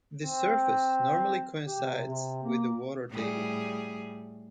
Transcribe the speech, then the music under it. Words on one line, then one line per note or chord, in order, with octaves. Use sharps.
This surface normally coincides with the water table.
C4
G4
C3
C3
A#3
A2 G3 G#4